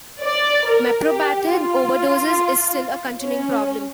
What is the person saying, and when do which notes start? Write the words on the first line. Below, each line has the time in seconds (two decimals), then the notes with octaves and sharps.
Meprobamate overdosage is still a continuing problem.
0.22 D5
0.65 A#4
1.08 G4
1.51 F4
3.22 C#4